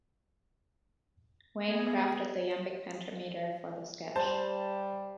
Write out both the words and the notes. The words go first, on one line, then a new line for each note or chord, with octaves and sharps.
Wayne crafted the iambic pentameter for the sketch.
G#3 B3 G#4
G3 C5 A5